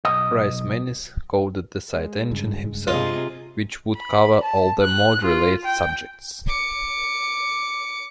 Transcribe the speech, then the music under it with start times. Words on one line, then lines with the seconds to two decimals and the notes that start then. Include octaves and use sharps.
Reismanis coded the site engine himself, which would cover all of the mod-related subjects.
0.05 B1 D#5
1.93 G#3
2.31 G2 C#3
2.87 C3 F4 G#4 D#5
3.97 B5
4.43 A5
4.82 F#6
5.24 F4
5.64 G5
6.47 D6 C#7